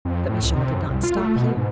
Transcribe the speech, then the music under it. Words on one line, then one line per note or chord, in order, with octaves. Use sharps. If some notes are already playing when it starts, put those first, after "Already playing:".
But Michal did not stop here.
F2
A2
C#2
C3
F#2
C2
F4
A3
B2
G#2